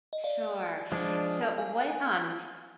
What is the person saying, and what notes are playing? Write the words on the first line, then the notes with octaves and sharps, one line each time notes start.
Sure. So what um,
D#5
D5 F5
F3 G#3 D4
F5 G#5
F5 G#5